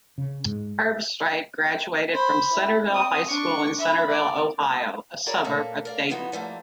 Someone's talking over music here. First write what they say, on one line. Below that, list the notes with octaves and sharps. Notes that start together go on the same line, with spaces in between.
Herbstreit graduated from Centerville High School in Centerville, Ohio, a suburb of Dayton.
C#3
G#2
C5 B5
E4
C4 D#6
D4 C#6
E5 B5
D5
E4 F#4 G#4 A#4 C#5 D5
A#2 A3 A#3 A5
A#4 D5 F5
E3 F3 B3 D#4 F4 F#4
F3 G3 A3 A#3